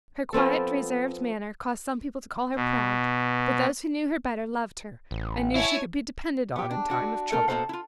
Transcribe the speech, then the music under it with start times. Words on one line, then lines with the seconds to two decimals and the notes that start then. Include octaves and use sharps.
Her quiet reserved manner caused some people to call her proud, but those who knew her better loved her, and knew she could be depended on in time of trouble.
0.33 F3 B3 C4 A4
2.55 B2
5.11 A1
5.55 E4 C#5 G#5 A5
6.56 B3 G4
6.71 D4
6.90 D4 F#4
7.32 A3 A4 A#4
7.48 B2 A#3 A4 C5 F#5
7.69 E4 F4